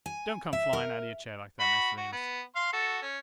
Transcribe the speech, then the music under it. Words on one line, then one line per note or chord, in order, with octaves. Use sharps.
Don't come flying out of your chair like that, Mr Venus!'
G#5
E5
A#4
F#4 B5
F#4
B3
F5 C6
F#4 A4
C#4